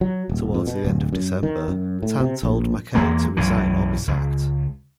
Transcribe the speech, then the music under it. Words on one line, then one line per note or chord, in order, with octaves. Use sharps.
Towards the end of December, Tan told Mackay to resign or be sacked.
F#3
D#1
F2
B2
D1
F#2
D#3
F#2
A2
C3
A#1
E2 E3 G#3 A#3
B1 F#2 E3
C#2